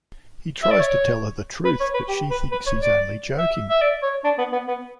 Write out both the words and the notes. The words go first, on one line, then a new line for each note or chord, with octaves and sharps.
He tries to tell her the truth, but she thinks he's only joking.
E5
D5
C#5
B4
C#5
B4
G4
B4
B4
C#5
D5
E5
E5
D5
C#5
D4
B3
B3
B3